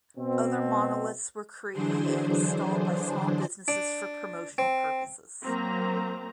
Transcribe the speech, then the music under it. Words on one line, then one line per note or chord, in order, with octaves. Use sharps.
Other monoliths were created and installed by small businesses for promotional purposes.
B2 C4
D3 E3 F#3 D4 G#4 C5
D4
C4
F#3 A#3 C4 A#5